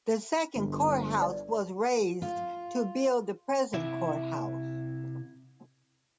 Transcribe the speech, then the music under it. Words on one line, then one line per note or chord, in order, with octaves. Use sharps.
The second courthouse was razed to build the present courthouse.
G1
D5
F4
C3 E4 E5